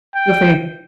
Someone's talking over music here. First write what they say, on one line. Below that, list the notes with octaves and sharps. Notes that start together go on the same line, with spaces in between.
Good for you.
G5